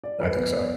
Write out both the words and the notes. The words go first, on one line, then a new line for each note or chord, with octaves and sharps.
I think so.
D5
B4
B3
D5